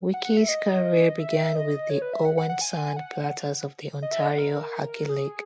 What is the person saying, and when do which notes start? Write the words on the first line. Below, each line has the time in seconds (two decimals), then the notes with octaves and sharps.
Weekes' career began with the Owen Sound Platers of the Ontario Hockey League.
0.14 F#5
0.25 F#5
0.37 E5
0.49 D#5
1.20 E5
1.55 D#5
1.90 C#5
2.02 B4
2.14 E5
2.25 F#5
2.37 F#5
2.49 F#5
2.61 G#5
2.96 F#5
4.02 D#5
4.11 E5
4.20 D#5
4.29 F#5
4.38 A#4
5.09 G#4